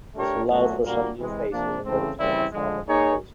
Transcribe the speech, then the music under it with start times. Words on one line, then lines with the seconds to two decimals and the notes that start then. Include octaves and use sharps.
This allowed for some new faces, and the return of former members.
0.15 A3 D4 G4 A#4 C#5
0.50 A#2 F#3 A3 C#4 F#4
0.83 A#2 G3 A#3 D4 F#4
1.17 C3 E3 G#3
1.51 C3 F3 A#3 D4
1.85 C#3 E3 A3 C4
2.19 C#3 E3 G3 C4 E4
2.53 D3 F3 G#3
2.88 A#3 D#4 G#4 C#5